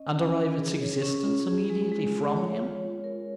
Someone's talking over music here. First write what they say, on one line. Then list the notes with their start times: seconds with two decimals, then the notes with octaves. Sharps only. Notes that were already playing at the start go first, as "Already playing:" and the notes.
'And derive its existence immediately from Him?'
Already playing: C#4 D#5
0.13 C#4
0.35 A#4
0.58 G#4
0.80 C#5
1.02 C#4
1.25 F4
1.47 G#4
1.70 G#3
1.92 G#3
2.14 F4
2.37 C#5
2.59 F4
2.81 F4
3.04 A#4